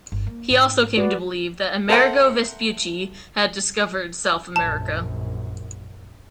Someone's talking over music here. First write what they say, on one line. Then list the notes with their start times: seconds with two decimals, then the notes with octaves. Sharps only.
He also came to believe that Amerigo Vespucci had discovered South America.
0.12 G1
0.27 A#3
0.50 G#2
0.97 F#4 B4 D5
1.89 A4 A#4 C5 E5 F#5 A#5
4.56 A#1 F#2 A5